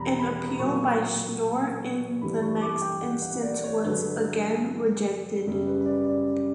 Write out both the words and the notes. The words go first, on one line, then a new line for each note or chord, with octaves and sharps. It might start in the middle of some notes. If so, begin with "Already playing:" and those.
An appeal by Schnoor in the next instance was again rejected.
Already playing: E2 B2 G3 A#5 B5
B5
A#2 F#3 C#6
G2 E3 G3 B5
C#6
D6
G5
F#5
F#5
D5
C#5
G2 D3 F#3 B4
F#2 C#3 G3
B4
D5
D5